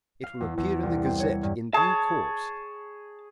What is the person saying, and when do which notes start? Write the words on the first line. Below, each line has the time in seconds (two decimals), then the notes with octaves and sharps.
It will appear in 'The Gazette' in due course.
0.24 F5
0.40 E2
0.58 E2
0.83 C2
1.05 C4
1.20 C#5
1.43 G2
1.74 G#4 C#5 A5